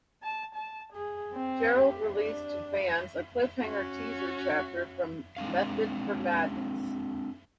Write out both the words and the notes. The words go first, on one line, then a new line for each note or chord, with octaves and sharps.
Gerrold released to fans a cliffhanger teaser chapter from "Method for Madness".
A5
A5
G#4
C4
G4
D4
C#4 F#4
G#3 C4 D4 F5